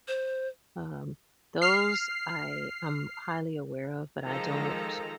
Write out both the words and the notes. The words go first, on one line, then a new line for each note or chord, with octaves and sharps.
Um, those I am highly aware of but I don't
C5
F6 C7
D#3 F3 G#3 A4 A#5